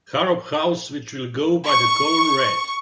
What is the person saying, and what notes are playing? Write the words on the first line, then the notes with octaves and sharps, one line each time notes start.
Harrop house which will go by the colour red.
C#6